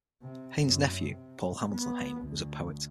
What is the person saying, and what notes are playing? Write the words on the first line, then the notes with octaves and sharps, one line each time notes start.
Hayne's nephew, Paul Hamilton Hayne, was a poet.
C3
F#2
C3
B3
D2